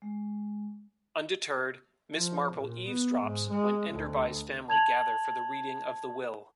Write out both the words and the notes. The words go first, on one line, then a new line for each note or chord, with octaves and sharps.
Undeterred, Miss Marple eavesdrops when Enderby's family gather for the reading of the Will.
G#3
F3
A#2
B3
G#2
G#3
D2
A5 G#6 F7 F#7